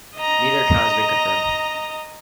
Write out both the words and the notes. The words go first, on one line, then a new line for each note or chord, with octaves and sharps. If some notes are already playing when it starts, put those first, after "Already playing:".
Neither account has been confirmed.
D#5 A#5